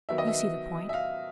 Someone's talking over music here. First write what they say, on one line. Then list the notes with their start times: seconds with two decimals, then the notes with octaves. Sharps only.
You see the point.
0.09 D#3 F#3 B3 E5
0.18 D#5
0.28 E5
0.89 E5
0.94 F5